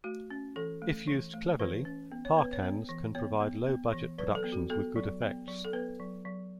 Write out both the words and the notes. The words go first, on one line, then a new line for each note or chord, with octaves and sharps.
If used cleverly, par cans can provide low budget productions with good effects.
A3 F#4
C#4
E3 A4
A3
E3
A3
E3 B4
C#4
B3
C#5
B3 B4
C#5
B3
E3
B3 C#5
B3
B3
E3
F#3 B4
A4
B3
F#4
B3 A4
F#3
B3
F#3
A4
B3 B4
F#3
F#3